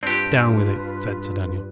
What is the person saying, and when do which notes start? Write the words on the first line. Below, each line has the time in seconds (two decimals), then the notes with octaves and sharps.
"Down with it," said Sir Daniel.
0.03 G2 C4 D4 F4 G4 B4